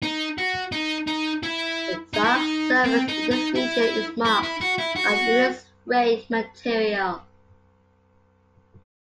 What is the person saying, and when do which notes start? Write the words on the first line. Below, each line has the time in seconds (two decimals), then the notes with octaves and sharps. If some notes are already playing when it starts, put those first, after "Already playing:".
The dark surface in this region is marked by Euler's ray material.
0.02 D#4
0.38 F#4
0.72 D#4
1.07 D#4
1.43 E4
2.14 D#4
2.24 E4
2.35 D#4
2.84 C4
3.08 D#4
3.31 D#4
3.55 E4
4.25 E4
4.43 E4
4.61 F#4
4.78 E4
4.96 F#4